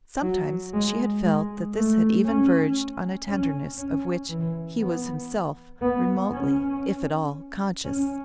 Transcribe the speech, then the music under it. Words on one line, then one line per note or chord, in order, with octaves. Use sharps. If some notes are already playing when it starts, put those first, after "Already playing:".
Sometimes she had felt that this had even verged on a tenderness of which he was himself remotely, if at all, conscious.
F#3
G#3
G#3
A3
C#4
C#4
C#4
E3
B3
B3
C#4
C#4